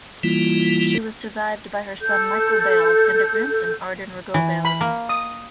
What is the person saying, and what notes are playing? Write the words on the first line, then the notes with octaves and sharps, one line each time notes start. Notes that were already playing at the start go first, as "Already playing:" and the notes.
She was survived by her son Michael Bales, and a grandson, Arden Rogow-Bales.
E3 G3 A#3 E4 F4
A4 G6
E3
B5
A#3
D#6